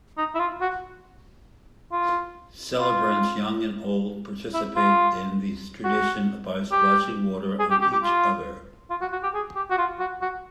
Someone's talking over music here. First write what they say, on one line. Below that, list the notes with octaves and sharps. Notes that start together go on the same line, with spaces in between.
Celebrants, young and old, participate in this tradition by splashing water on each other.
D#4
E4
F4
F#4
F4
F4
E4
F4
F#4
G4
G#4
G4
G4
G4
F4
F4
F#4
F#4
G4
G#4
G4
F#4
F4
F#4
F#4